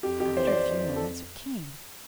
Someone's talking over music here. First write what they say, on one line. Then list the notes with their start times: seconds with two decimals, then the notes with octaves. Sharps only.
After a few moments it came.
0.03 F2 G4
0.20 F2 G4
0.36 E3 C5
0.47 D5
0.52 F2 C5
0.69 F2
0.85 F2
0.96 A4